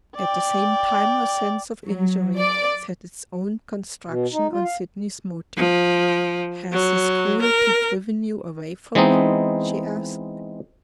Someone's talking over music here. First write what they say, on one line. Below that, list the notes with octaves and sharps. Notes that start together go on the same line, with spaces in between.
At the same time her sense of injury set its own construction on Sydney's motive. "Has his cruelty driven you away from him?" she asked.
D5 G5
F#3
D5
B2
D#4
F4
F5
F3
F#3
A#4
E3 G#3 B3 C4 D#4